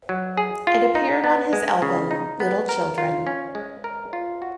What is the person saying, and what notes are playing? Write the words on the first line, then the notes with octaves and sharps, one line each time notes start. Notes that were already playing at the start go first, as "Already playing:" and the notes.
It appeared on his album, "Little Children".
F#3
G#4
F4
D#4
B3
G#3
C#3
D#4
B3
A#4
F4
C#4
G#3
A#4
F4
F#4